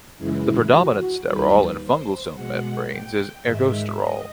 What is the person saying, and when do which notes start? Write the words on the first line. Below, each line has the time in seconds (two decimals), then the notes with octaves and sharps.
The predominant sterol in fungal cell membranes is ergosterol.
0.18 F#2 C#3 E3 G#3 E4
0.72 F#4
1.26 D#2 D#3 G3 B4
1.81 C5
2.34 B2 G#3 F#5
2.89 G5
3.42 G#2 D#3 G#3 E5
3.97 D#5